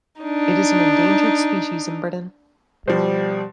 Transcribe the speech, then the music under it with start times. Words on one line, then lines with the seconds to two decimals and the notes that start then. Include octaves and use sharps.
It is an endangered species in Britain.
0.22 D4 D#4
2.88 B2 F3 G3 C5